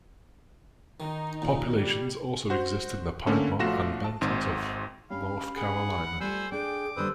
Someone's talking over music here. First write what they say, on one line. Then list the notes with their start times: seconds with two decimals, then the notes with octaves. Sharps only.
Populations also exist in the Piedmont and mountains of North Carolina.
1.00 D#3 D#4
1.42 D#2 A#2
1.77 G3
2.50 F#4 C5
3.27 D3 A3 A#3 C#4 A4
3.59 A#1 A3 F4 F#4 A#6 E7
4.04 A5
4.21 G#1 G#2 C4
5.10 C#4 G4 F5 B5
5.56 G#4 F#5
6.20 G3 A3 F4 C5 G#5 B5 E6
6.52 D4 G#4 G5 D6
6.96 D#2 D3 G3 B4 C5 D#6 E6